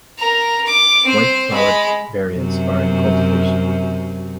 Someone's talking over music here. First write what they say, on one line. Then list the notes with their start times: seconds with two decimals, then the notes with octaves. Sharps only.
White-flowered variants are in cultivation.
0.19 A#4 A#5
0.67 D6
1.03 C4 C5
1.53 G#3 B5
2.31 F#2 C3